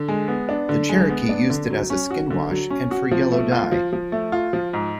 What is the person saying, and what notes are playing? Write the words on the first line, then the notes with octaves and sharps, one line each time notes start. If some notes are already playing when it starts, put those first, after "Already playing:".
The Cherokee used it as a skin wash and for yellow dye.
Already playing: D3
G#3
B3
D4
D3
G#3
B3
D4
D3
F#3
C#4
F#4
D3
F#3
C#4
F#4
F3
A3
F4
F3
F3
A3
F4
F3
G#2